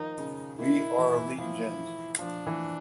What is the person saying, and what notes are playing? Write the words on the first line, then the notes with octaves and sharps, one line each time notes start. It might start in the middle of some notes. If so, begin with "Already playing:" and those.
We are Legion!
Already playing: D#3 F3 D#4
C#3
D#3 E4
E3
F3 E4
F3 D4
E3